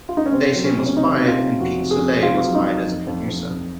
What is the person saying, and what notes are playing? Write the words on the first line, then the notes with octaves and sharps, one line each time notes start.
Stasium was fired and Pete Solley was hired as producer.
F4
D#4
C#4
C3 C4
F#3
C#4
C3
C#4
C3 D#4
C3
F4
C3
F2 F#4
C3
G#4
F2
C3 F4
F#3
D#4
F#3
F2
F2
F2
F2